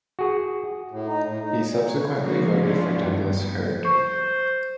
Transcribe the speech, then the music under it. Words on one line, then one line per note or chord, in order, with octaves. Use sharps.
He subsequently voted for Douglas Hurd.
F#4 G#4
A2
D#4
A2
D#4
A#2
C#5
F3 G#3 A#3 D#4 F#4
F3 B3 C#4 D4 E4 F4
E2 G2 D#3
G3 B3
C5 C#6